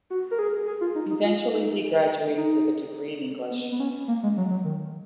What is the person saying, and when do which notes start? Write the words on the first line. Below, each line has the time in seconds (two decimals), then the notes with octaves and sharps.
Eventually he graduated with a degree in English.
0.10 F#4
0.31 A#4
0.39 G#4
0.67 G#4
0.81 F4
0.95 D#4
1.10 D#4
1.24 F4
1.52 D#4
2.37 D#4
3.51 B3
3.72 B3
3.80 C#4
4.08 A#3
4.23 G#3
4.37 F#3
4.50 F#3
4.65 D#3